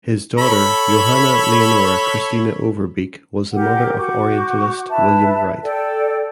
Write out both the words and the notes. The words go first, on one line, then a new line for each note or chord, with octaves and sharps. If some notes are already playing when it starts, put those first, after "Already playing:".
His daughter Johanna Leonora Christina Overbeek was the mother of orientalist William Wright.
A4 C#5 B5
G4 A#4 F#5
F#4 C#6 D6 G6
E4 B4 E5 A5
A4 D5 G5